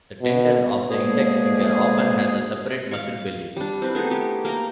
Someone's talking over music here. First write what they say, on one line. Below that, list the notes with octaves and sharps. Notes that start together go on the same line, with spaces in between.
The tendon of the index finger often has a separate muscle belly.
B2
B2 D3 F3 G#3 A#3 G#4
F5 C#6
G3 D4
C4 E4 B4
A3 B3 D#4 G#4
G4
A#3 G5 A#5